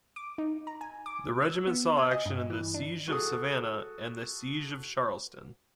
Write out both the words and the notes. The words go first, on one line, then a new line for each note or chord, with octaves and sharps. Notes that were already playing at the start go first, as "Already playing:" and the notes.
The regiment saw action at the Siege of Savannah and the Siege of Charleston.
D6
D#4
A#5
G#5
D6
E6
B3
G#5
D#5
G2
E3
D4
F#4 G#4 A4 D#6